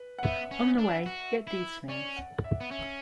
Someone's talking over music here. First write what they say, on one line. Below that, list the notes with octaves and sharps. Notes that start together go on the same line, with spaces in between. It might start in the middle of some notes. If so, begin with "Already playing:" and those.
On the way get these things.
Already playing: B4
F#5
B3 E5
C#4
D4
F#4
E4
C#4 D5
F#5
E5
B3
C#4 E5